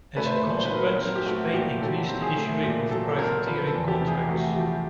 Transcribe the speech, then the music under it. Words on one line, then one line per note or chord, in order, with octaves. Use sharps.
As a consequence, Spain increased the issuing of privateering contracts.
A3 B4
C5
B4
A#2
C5
B4
F#3 A#4
B4
C4 A#4
G4
A3 F#4
A#2 G4
F#3 A4
C4
G#4
A3
A#2 G4
F#3 A4
A4
C4 A#4
F3 B4
A4
E2
G4
C3
G#4
A3 F#4
F3 G4